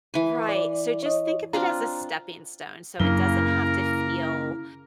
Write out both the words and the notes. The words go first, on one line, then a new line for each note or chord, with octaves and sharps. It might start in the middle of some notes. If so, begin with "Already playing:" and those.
Right. So just think of it as a stepping stone so it doesn't have to feel,
E3 G#5
D5
C#5 D#5
C4 D4 F4 A#5
F#2 C#3 F#3 A#3 D4 E4 A#4